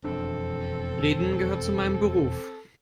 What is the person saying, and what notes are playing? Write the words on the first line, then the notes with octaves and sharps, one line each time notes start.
Reden gehört zu meinem Beruf.
E1 F2 C4 D4 A4